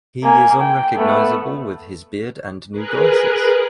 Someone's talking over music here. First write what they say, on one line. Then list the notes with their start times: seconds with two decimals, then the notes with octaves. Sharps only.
He is unrecognizable with his beard and new glasses.
0.23 A#3 G#5
0.60 G5
0.96 A3 B3
2.72 G#4 A#4 B4 F#6